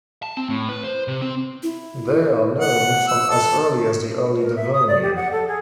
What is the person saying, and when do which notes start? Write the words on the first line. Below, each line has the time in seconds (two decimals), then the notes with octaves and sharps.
They are known from as early as the Early Devonian.
0.23 A5
0.37 C4
0.49 A2
0.69 B4
0.84 C5
1.08 C3
1.22 C4
1.63 E4
2.59 F#5
3.08 E6
3.30 A4
4.41 A#4
4.56 E5
4.73 D#6
4.88 D5
5.02 G4
5.16 F#5
5.31 A4
5.48 G#4